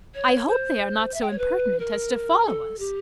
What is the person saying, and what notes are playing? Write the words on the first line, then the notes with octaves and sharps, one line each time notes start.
I hope they are not so impertinent as to follow us.
C#5
C5
E5
G5
C#5
B4
A#4
A4
G4